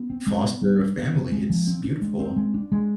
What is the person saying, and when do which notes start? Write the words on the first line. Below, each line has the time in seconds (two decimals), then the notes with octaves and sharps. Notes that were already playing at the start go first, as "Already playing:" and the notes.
foster a family, it's beautiful.
Already playing: B3
0.10 C4
0.27 G#3
0.44 B3
0.62 G3
0.79 D4
0.97 B3
1.15 C4
1.32 G#3
1.50 F3
1.67 C4
1.84 D4
2.02 G#3
2.19 C4
2.36 G#3
2.54 D4
2.72 G#3